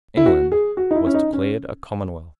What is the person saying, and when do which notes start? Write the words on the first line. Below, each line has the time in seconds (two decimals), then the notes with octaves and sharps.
England was declared a commonwealth.
0.17 E4
0.26 F#4
0.52 G#4
0.77 F#4
0.91 D#4
0.95 E4
1.06 C#4
1.14 D#4
1.33 C#4